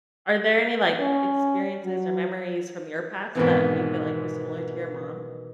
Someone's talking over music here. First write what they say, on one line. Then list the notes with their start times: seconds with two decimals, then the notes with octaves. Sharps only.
Are there any, like, experiences or memories from your past that you feel like were similar to your mom's?
1.00 C#4
1.85 F#3
3.35 G#2 B2 D#3 E3 B3 C4